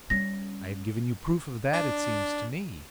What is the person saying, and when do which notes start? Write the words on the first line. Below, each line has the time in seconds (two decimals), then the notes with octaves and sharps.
"I have given you proof of that, it seems to me."
0.10 G3 C#4 A#6
1.73 D4